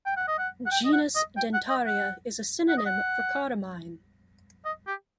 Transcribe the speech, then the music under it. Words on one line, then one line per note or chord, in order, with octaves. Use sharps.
Genus Dentaria is a synonym for "Cardamine".
G5
F#5
D#5
F#5
F#5
G5
D#5
F#5
D#5
G5
F#5
D#5
F#5
F#5
D#5
F#5
D#5
G4